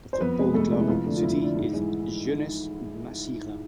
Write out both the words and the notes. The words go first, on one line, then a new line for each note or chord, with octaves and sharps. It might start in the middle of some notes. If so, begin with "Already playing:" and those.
The football club of the city is Jeunesse Massira.
C5
F2 B3 B4
C3 G#3
F2 A3 A4
C3 G#3
E4
F2 F3 F4
D3 A3
F4
F2 E4
D3 A3
G#2
E3 G#3